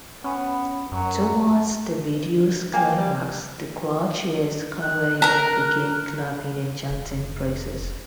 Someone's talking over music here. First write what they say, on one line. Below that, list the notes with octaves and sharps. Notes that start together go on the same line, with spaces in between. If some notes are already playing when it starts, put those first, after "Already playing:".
Towards the video's climax, the crowd cheers Carey and begin clapping and chanting praises.
B3 C#4
F#2 F#3
A#3 G5 G#5
G3
F#6
A#4 A#5
F1